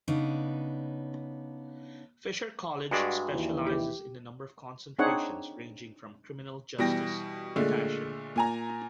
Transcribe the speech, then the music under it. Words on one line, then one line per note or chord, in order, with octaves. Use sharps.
Fisher College specializes in a number of concentrations ranging from Criminal justice to Fashion.
C#3 B3 D4 D#4
G2 G#3 F#4 D5
D#2 E3 E4
G4
C4 D4 D#4 G#4 C#5 F#5
B2 E3 G3 G5 A#6
A#2 D3 G#3 A3
A#2 G#5 A#5